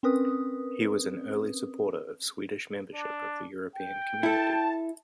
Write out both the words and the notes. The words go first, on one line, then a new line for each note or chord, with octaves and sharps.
He was an early supporter of Swedish membership of the European Community.
C4 C#4 A#4 B4 D#6
D4
G5
E4 A4 A5